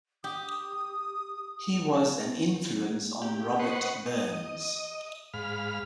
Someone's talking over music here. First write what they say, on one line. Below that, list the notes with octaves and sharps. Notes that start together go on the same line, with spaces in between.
He was an influence on Robert Burns.
G4 D#6
G4
B4 C5 D#5 F#5 C#6
D#5
G#2 F5 B5 F6